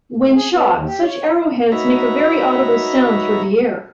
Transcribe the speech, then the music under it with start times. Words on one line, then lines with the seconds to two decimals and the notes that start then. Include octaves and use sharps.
When shot, such arrowheads make a very audible sound through the air.
0.17 A2
0.35 G#4
0.52 B3
0.73 D#2
0.86 G4
1.03 C#5
1.72 D#4 F#4 B4 C#5 E5 A#5